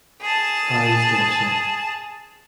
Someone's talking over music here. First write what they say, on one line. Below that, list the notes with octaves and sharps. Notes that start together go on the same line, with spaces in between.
Eyes dorsal.
G#4 A5